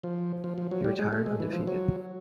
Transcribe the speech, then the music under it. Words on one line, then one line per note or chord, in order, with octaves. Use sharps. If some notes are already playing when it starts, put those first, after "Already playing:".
He retired undefeated.
F3
F3
F3
F#3
G3
G#3
A3
G#3
E3
F3
F#3